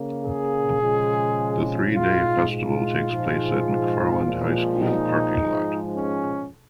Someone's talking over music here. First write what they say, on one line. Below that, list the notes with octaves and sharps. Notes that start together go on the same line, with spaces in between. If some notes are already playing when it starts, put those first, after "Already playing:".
The three-day festival takes place at McFarland High School parking lot.
Already playing: C#3 A#3
G#4
C#3 F3 G#3
G#2 G#3 F4
F4
G#2 F3 G#3
A#2 F3 G#3
D#4
G#2 F3 G#3
C#4